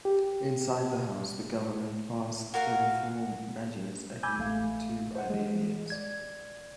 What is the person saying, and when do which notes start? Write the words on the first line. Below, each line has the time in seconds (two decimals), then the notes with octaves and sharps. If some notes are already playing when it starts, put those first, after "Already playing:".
Inside the House, the government passed the reform measures agreed to by the Unions.
0.05 G4
2.54 F#4 A#4 F5 F#5
4.23 G#5 B5 D6 E6 G6 G#6
4.39 A1 A3 F5
5.15 C5 F#5
5.30 E3 G#3
5.90 D5 G#6